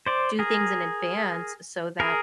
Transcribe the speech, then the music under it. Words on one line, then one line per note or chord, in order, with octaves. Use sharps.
do things in advance so that
C5 D5
G#4 A#4
G#4 A#4